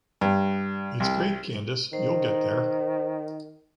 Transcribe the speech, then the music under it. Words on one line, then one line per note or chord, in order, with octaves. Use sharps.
It’s great, Candice you’ll get there!
G2
C2
D#3 C5